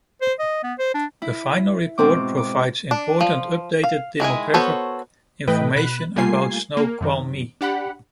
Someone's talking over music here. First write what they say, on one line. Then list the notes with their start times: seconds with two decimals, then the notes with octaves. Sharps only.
The Final Report provides important updated demographic information about Snoqualmie.
0.22 C5
0.40 D#5
0.64 B3
0.79 C5
0.94 D4
1.22 E4
1.98 G#2 B2 C4 D6
2.37 D6
2.91 D4
3.21 F3
3.83 F5
4.20 D#3 G#3 E4 G#5
4.54 B3 F#4 A4 C5 C#5
5.47 A2 E3 A3 B4 D#5 G5
5.75 B2 B5 F#6
6.16 G3 A3 A#3 F4 G#5 C7
6.77 A#3
7.01 F#2 C3 D#3
7.61 D4 G4 F#5 B5